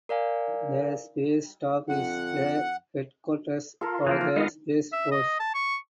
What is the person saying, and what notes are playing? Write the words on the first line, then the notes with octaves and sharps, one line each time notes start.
The Space Staff is the headquarters for the Space Force.
A#4 D5 F5 G#5
F2 F#5
F4 A4 A#4
E3 F3 A#3
F4
G#3 B3 D#5 F5
E5
D#5
A5
C#6